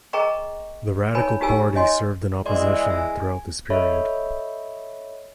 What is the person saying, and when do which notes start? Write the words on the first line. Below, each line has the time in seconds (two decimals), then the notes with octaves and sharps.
The Radical Party served in opposition throughout this period.
0.13 G#4 A#4 D#5 G5 A#5 C#6
1.15 D#4 A#4 C#5 G#5 B5
1.40 D#4 F4 G4 A#4 G#5 E6
1.75 C#5 D#5 G#5 C6
2.46 E3 G#3 D5 D#5 C6
2.90 G#5
3.70 A4 C#5 D#5 E5 B5